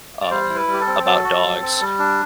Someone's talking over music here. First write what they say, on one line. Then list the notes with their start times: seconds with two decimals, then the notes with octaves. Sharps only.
um, about dogs,
0.21 D5
0.31 G3 C5
0.49 E4
0.56 B4
0.68 G3
0.73 G4
0.81 A4
0.87 C4
1.05 F#3 A4
1.24 F#4
1.43 F#3
1.62 C4
1.80 G3
1.99 D4